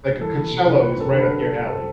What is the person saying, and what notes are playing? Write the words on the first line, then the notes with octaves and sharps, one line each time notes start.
Like a Coachella was right up your alley.
E3 A4
E3
C3
C2
C4 B4
F#2 A4
D3 A4
B4
F#2
C3 A4
G3
C4 A4